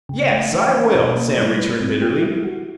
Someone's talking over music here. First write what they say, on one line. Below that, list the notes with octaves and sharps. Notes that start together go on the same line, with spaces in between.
"YES, I will!" Sam returned bitterly.
C#3
A3
E3
C#4
B2
A#3
G3
B4
C4
G4
E4
F#4